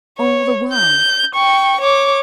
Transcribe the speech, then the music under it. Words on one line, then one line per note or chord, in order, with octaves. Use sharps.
All the world!
C#5
G6
G5 C#6
C#5 D6